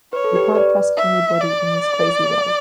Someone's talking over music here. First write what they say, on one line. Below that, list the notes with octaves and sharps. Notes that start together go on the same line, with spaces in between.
You can't trust anybody in this crazy world.
B4 C#5
A4
G4 B4
B4 D5
E5
D5